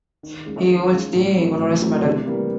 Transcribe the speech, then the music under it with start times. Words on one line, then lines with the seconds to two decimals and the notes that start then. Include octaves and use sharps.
He holds the Gunnerus Medal.
0.23 D#3
0.46 G#3 C#4 F4 G#4
0.68 D#3
0.91 G#3 C#4 F4 G#4
1.14 A2
1.36 F#3 A3 C4 E4
1.59 A2
1.82 F#3 A3 C4 E4
2.04 C3
2.27 E3 G3 A#3